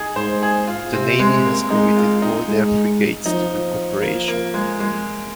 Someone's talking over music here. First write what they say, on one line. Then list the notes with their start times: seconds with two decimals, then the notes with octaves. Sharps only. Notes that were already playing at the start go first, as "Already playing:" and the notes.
The Navy has committed all their frigates to the operation.
Already playing: D#4 G#4
0.16 G#2 C5
0.43 G#4
0.67 F4
0.93 C3 C4
1.20 G#3
1.45 A#3
1.70 G#3 D#4
1.97 F4
2.22 D#4
2.48 G#3
3.26 F3 D#4
4.02 A#3
4.28 A#3
4.54 G#3
4.80 G#3